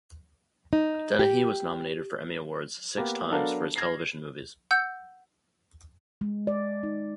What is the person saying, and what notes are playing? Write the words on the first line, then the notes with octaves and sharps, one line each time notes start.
Dennehy was nominated for Emmy Awards six times for his television movies.
D#4
G4
A#3 B3 G4 A#4
F#3 B3 D4 A4 A#4 F5
F6 G#6 A#6 C7
F#5 E6 G6
G#3
D5
D#4